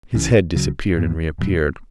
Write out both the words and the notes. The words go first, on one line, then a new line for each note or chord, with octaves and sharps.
His head disappeared and reappeared.
C#2 C#3 E3
C#2 C#3 F#3
G2 E3 B3
E2 B2 F#3